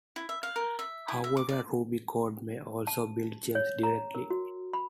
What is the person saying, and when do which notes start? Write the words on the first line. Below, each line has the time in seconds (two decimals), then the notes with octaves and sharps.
However, Ruby code may also build Gems directly.
0.16 E4
0.29 E5
0.43 F5
0.56 A#4
0.79 E5
1.08 E4
1.24 E5
1.37 D6
1.49 D5
2.87 A5
3.55 C#5
3.83 A#5
4.15 A#4
4.30 F#4
4.73 B5